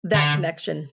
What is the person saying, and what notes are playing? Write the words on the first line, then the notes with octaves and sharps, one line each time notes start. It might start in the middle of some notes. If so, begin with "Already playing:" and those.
that connection,
D3